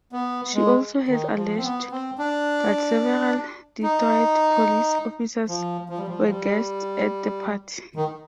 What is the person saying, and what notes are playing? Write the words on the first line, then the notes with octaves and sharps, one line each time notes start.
She also has alleged that several Detroit police officers were guests at the party.
B3
G#3
D#3
F3
C4
B3
C4
D4
D#4
F3
F3
G3
F3
F3
G3
D#3